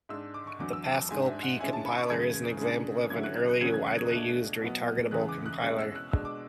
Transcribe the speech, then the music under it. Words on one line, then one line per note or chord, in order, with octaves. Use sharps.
The Pascal P-compiler is an example of an early widely used retargetable compiler.
G#2 G#3 D4 E6
D6
C#6
E2 D3 F#3 D6
E6
A5
G#2 G#3 D4 G#5
E5
F#5
D3 G#3 C#4 E4 G#5
A5
B5
C#6
E2 C#3 G#3 G#6
C#3 G#3 D4
D3 F#3 C#4 E4 G#6
F#6
F#6
F#6
E2 C#3 F#3 C#4 G#6
G#6
F#6
G#6
B2 A3 D4 F#6
B2 F#3 B3
E2 C#3 E3 G#3 B3 F#6
D6
F#6
B2 G#3 C#4 E4 F#6
E6
F#6
B2 G#3 D4 E6
D6